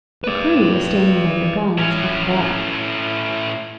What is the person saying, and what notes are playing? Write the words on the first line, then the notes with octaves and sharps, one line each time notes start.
The crew was standing by their guns up above.
B4 D5
A2 C#4